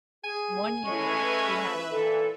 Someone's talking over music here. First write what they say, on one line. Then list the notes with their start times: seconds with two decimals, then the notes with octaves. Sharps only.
One year we had a
0.24 G#4 G#5
0.85 G#3 A3 C#4 B4 E5 C#6
1.91 A#2 E3 A4